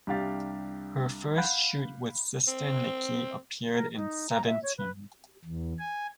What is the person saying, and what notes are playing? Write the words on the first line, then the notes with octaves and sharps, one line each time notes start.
Her first shoot with sister Niki appeared in "Seventeen".
C2 D4 G4 F5 A6
F5 F#5 B5 F#6 G6
C4
A#4
D#4
A#5
E5
C#5
B4
E2
G#5